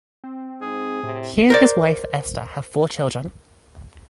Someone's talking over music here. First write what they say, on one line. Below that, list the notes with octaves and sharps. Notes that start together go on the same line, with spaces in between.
He and his wife, Esther, have four children.
C4
G#2 G#4
A2 C3
A#4 C5 D5